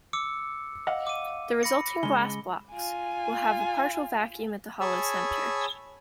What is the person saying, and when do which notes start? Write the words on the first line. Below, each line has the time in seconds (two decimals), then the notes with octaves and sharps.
The resulting glass blocks will have a partial vacuum at the hollow centre.
0.13 D6 E6 C#7
0.87 D#5 F5 F#5
1.07 D6 D#7
1.63 B5 A#6 C#7
2.03 C#3 G#3 G7
2.71 F4 G#5
4.81 G#4 C#5 G#5 A5 B5 E6